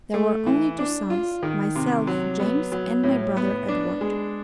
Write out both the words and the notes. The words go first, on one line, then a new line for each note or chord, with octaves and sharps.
There were only two sons: myself, James, and my brother, Edward.
A3
E3
D4
F4
D#3
C3
F#3
B3
F#3
A2
B3
D4
G#3